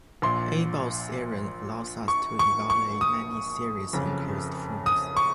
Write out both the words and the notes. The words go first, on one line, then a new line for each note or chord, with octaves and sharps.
Abel's theorem allows us to evaluate many series in closed form.
A#1 A#2 C6
C#6
C#6
C#6
D#6
F#1 F2 C#3
D#6
C#6